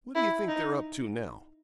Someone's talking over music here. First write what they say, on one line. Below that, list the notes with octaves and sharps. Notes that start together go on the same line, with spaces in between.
'What do you think they're up to now?'
E4
D#4